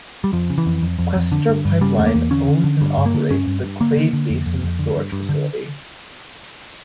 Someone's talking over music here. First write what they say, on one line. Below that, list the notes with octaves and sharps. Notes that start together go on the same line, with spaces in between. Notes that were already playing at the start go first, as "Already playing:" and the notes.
Questar Pipeline owns and operates the Clay Basin storage facility.
G3
F2 F3
C#3
E3
F2
F2
F2
F2
D3
G2
G2
C#3 G3
E2 A3
A#3
E2
D3 C#4
D3
D3
G2
G2
A#3
D3
G2 C#4
G2
G2
D3 A#3
D3
D3
F2
F2
F2
D3
G2
G2
D3